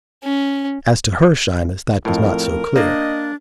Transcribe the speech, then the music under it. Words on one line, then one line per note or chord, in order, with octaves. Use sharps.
As to her shyness, that was not so clear.
C#4
F2 A2 A#4
A#3 D4 D#5